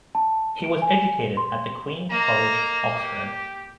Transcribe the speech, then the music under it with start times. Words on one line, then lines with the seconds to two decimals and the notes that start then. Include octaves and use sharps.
He was educated at the Queen's College, Oxford.
0.15 A5
0.64 D7
0.82 G#5
1.37 C6
2.11 A#3 D#5 A#5
2.94 G4